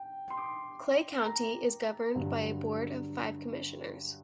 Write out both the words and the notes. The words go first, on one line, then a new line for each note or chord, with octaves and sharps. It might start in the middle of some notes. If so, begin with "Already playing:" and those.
Clay County is governed by a board of five commissioners.
Already playing: G5
C6
D6
A#5
G2 D3 F#3